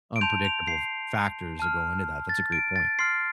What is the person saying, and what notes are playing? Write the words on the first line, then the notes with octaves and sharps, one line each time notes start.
unpredictable f factors that go into that, that's a great point.
D7
A5 C6 G6 F7
F7
C7
A5 F6
A6
D7
A6
C6 F6 C7